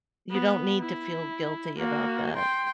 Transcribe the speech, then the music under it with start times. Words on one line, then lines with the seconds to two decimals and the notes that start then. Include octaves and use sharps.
you don't need to feel guilty about that.
0.31 B3
0.81 E4
1.79 A#3 F#4
2.35 G5 C6